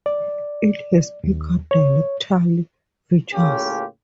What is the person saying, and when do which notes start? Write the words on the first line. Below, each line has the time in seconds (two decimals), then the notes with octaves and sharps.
It has Picard dialectal features.
0.06 D5
1.24 D#2
1.71 C#5
3.34 A2 C#3 A#3 C#4 F4 G4